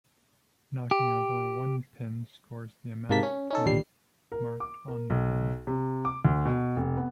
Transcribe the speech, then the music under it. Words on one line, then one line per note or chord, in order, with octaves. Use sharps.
Knocking over one pin scores the amount of points marked on the pin.
G4
G#2 C3 A#3 A5 B6
C#4
C#4 D#4 A4
A1 D#2 A#2 D3 G3 C7
A#4
D6
A#4
B1
C3
D6
D2
B2
F1
B3